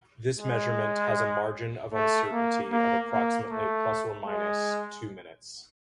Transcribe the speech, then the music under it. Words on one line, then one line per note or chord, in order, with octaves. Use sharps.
This measurement has a margin of uncertainty of approximately plus or minus two minutes.
G#3
A3
A#3
A#3
A#3
A3
G#3